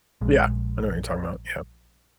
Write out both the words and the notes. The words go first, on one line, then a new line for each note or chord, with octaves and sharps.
Yeah, I know what you're talking about, yep.
A#1 G#3